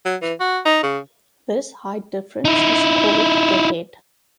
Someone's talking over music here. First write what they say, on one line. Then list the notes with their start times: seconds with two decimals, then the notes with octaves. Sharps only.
This height difference is called the head.
0.05 F#3
0.22 E3
0.40 F#4
0.66 D#4
0.83 C#3
2.45 D#4 E4